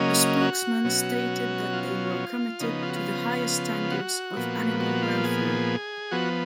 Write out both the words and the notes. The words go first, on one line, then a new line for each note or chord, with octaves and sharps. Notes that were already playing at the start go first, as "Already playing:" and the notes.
A spokesman stated that they were committed to the "highest standards" of animal welfare.
Already playing: C#3 F#3 A#3 C#4 D#5
F#4
B2 F#3 C#4
F4
C#3 F3 B3 D#4
F4
F#4
F4
F#4
A#2 F3 B3
F#4
F4
G#4
F3 B3 F#4